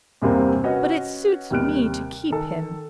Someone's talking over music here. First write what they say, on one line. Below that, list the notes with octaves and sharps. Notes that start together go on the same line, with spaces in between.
But it suits me to keep him.
E2 G2 C3 G3 A#3 C4
C#4 F#4 B4 C#5 D#5
D#2 C3 G3 F6 F#6 D7
D#3 A4